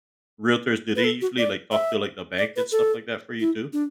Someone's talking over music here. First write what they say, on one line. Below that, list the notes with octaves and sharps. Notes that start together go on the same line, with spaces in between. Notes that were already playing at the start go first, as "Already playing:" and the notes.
realtors, do they usually, like, talk to, like, the bank and stuff like that for you, too,
B4
A4
F#4
D5
E5
D5
B4
A4
E4
D4